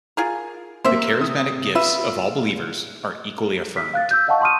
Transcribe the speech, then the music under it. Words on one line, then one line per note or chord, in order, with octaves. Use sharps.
The charismatic gifts of all believers are equally affirmed.
F4 G#4 A#4
A#3 C4 C5 E5
C3 D#6
F4 B4 E5
B6
F5 F#6 A6
E6 G6
D#5 F5 F#5 A5 C#6
A5 C6 C#6 D#6 F6 D#7